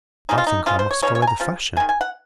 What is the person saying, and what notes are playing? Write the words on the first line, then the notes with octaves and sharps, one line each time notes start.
I think I must follow the fashion.
C#3 F3 G#3 D#4
F4
D#4
C#3 F3 G#3 F4
C5
C#5
C#3 F3 G#3 C#5
C#5
G#5
A#5
C#3 F3
D#3 G#3 G#5
G#5
F#5